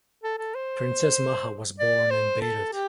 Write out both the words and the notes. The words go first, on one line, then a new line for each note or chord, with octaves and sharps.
Princess Maha was born in Beirut.
A4
A4
C5
D5
C5
A4
G4